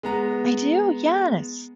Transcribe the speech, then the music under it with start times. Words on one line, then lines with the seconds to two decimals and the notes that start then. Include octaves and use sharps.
I do, yes,
0.03 G#3 B3 A#5